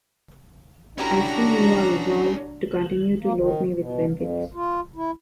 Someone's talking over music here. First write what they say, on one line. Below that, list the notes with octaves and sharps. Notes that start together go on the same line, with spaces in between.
I see you are resolved to continue to load me with benefits.
C#4 D4 E4 F#4 G4 A4 A#4 A#5
A#3
D#3
B2
F2
F4
E4